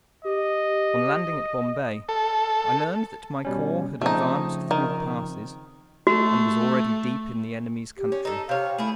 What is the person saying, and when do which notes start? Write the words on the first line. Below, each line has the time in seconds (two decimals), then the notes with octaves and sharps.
On landing at Bombay, I learned that my corps had advanced through the passes, and was already deep in the enemy's country.
0.25 G4 D#5
2.09 A4
3.45 B2 G3 C#4
4.01 C#3 F3 A3 C4 D#4
4.71 D#3
6.07 A3 F#4
7.98 G4
8.12 C#4
8.25 D#4 A4
8.49 C3 C#5 F5
8.78 A3 E4 G#4